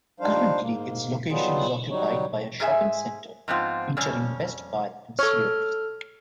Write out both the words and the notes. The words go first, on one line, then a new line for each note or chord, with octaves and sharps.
Currently its location is occupied by a shopping center featuring Best Buy and Sears.
F3 G3 D4 D#4 C5 F5
G#2 A#3
F#3 G3 B3 D#4 F4 G#4
F#3 G3 D#4 C#5
G#2 G#4 E5 G#5
G#2 F3 B3 C4 F4
F2 G3 C#4
A4 C#5 F6